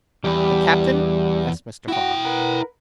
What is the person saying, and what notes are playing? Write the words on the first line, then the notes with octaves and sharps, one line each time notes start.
"The captain?" asked Mr. Fogg.
E2 G3 G4 B5
E4 F#4 G5
A#4 B4 F#5